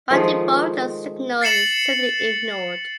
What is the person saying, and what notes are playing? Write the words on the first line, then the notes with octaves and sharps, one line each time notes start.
By default the signal is simply ignored.
D#3 F3 G#3 A3
A6 C7 C#7 E7 F#7